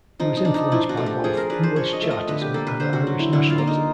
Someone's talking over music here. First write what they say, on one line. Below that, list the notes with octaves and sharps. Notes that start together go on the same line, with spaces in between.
He was influenced by both English Chartism and Irish nationalism.
F3 D#4
D#4
D4
D#4
F3 E4
F#4
A3
G4
F3 G#4
A#4
D4 B4
C5
F3 C#5
D#5
A3 E5
D#5
D3 B4
G4
A#3 A4
B4
D3 C5
F#4
F#3
E4
D3 E4
F4
A#3
D#4